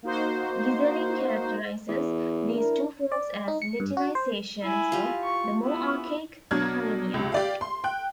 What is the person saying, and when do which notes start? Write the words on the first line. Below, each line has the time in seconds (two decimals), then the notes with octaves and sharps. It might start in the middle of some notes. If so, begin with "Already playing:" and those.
Gysseling characterizes these two forms as Latinisations of the more archaic "Nehalennia".
0.03 A#3 D#4 F#4 C5
1.88 E2
2.50 D4 E4 A#4
3.12 D5
3.48 D#4
3.62 C#7
3.80 G2
3.97 F#4
4.15 C5
4.62 E4 G#5
4.92 F4 G4
5.23 C#6
5.64 B3 E4
6.51 B2 F#3 D4 F6 G#6
7.14 C#2 C3
7.32 G4 D5 F5
7.61 C6
7.84 G5 F#6